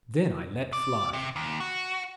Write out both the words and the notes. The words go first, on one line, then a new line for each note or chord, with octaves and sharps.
Then I let fly....
D5
C3
D#2
F#4